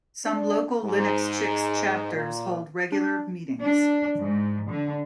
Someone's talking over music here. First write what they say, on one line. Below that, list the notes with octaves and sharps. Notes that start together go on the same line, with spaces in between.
Some local LinuxChix chapters hold regular meetings.
D4
G#2
A#2
D4
D4
G#2
D3